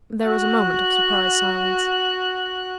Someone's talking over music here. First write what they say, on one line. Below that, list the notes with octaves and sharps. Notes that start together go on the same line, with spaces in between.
There was a moment of surprised silence.
F#4 F#6